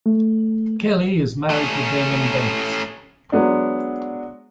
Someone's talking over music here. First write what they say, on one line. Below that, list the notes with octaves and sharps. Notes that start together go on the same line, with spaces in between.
Kelly is married to Damon Bayles.
A3
A3 C#4
F#3 G#3 B3 D4